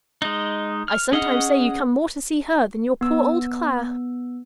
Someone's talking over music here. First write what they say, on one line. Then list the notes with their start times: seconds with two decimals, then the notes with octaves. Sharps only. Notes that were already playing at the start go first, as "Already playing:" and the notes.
"I sometimes say you come more to see her than your poor old Clare."
0.22 G#3 D#4
0.88 F6
1.12 C#4 G#4 D#5 F#5 F6
3.01 B3 E6